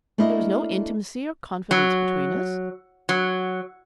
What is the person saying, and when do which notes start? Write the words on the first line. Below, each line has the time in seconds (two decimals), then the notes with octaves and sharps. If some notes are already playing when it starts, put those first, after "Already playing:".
There was no intimacy or confidence between us.
0.18 A3 A#3 D4 E4 F#4 D#5
1.71 F#3
3.09 F#3